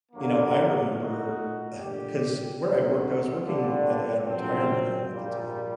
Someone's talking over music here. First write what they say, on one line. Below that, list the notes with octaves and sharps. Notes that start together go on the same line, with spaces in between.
you know, I remember, uh 'cause where I worked, I was working at a at a retirement home at the time,
G2 D3 F#3 A#3
A#2 A3 D#4 F#4
A#1 A#2 A3 D4 G4
D#2 D3 F#3
G1 G2 D3
A#1 A#2 F#3 C4
A#1 A#2 G3